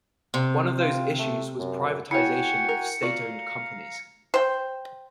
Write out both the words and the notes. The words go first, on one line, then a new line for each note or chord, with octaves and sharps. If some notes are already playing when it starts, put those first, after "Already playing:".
One of those issues was privatisation of state-owned companies.
C3
F4
A3
F#2
E4 F#4 G#4 C#5 G5 G#5 C#7
A#4
F4 F#4 A4 D5 F5 A#5
C5 G5